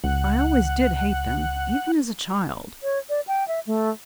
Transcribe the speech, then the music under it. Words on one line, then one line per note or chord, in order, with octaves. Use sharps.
I always did hate them, even as a child.
C#2 F#5
C#5
D5
G5
E5
A3